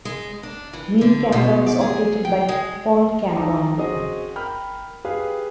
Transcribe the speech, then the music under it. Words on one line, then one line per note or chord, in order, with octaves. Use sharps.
Main camera was operated by Paul Cameron.
G#3
D4
E3
D3
B2
D5
G#4
G5
G#3
D#4 A4 D6
C4 C#4 F#4 G#4 D#5 G#5
A#4 G5 B5 F6
G4 G#4 B4 F5